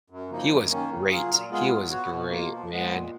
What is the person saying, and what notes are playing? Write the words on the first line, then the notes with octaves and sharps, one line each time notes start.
he was great. He was great, man,
F#2
C#3 F3 A#3 D#4
F#2
D#3 A#3 C#4
C#3
F#3 A#3 F4 G#4
A#2
G#3 B3 F4 G#4
F#3
B3 F#4 C#5
B2
A#3 F4
F3
G#3 B3
A#2